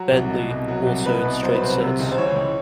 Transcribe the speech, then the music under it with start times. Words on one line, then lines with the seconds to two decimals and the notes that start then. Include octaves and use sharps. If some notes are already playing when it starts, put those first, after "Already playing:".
Bentley, also in straight sets.
Already playing: F#3
0.12 C2
0.30 B2
0.50 C2
0.68 F#3
0.86 C2
1.06 B2 B4
1.25 C2
1.43 F#3 C5
1.54 B4
1.62 C2 C5
1.80 C3
2.00 C#2
2.11 C5
2.18 E3 C#5
2.36 C#2